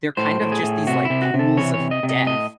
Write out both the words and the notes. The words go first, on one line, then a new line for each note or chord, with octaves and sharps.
they're kind of just these, like, pools of death,
A2 C5
A2
G#4
A2
C3 F#4
E4
C3
F#4
C3
A4
E3 C#5
C#5
C3
D#5
C3
D#5
A2 D#5